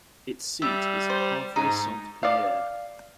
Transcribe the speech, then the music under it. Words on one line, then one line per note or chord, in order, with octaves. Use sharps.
Its seat is Havre-Saint-Pierre.
G3 E5
C5
G#2 D#4
D5 F5